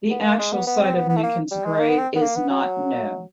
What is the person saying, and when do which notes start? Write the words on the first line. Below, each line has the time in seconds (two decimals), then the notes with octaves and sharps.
The actual site of Ninken's grave is not known.
0.11 B3
0.25 A#3
0.39 G#3
0.53 B3
0.67 B3
0.81 C4
0.95 B3
1.09 B3
1.16 A3
1.23 A#3
1.51 G3
1.65 G#3
1.79 A#3
1.88 B3
1.98 C4
2.16 B3
2.21 A#3
2.36 B3
2.50 F#3